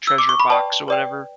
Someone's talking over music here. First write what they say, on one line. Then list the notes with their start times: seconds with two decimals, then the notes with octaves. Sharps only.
treasure box or whatever.
0.07 E6
0.18 D6
0.29 C#6
0.39 B5
0.50 B4 D5 G5 A5
0.88 B4 D5 G5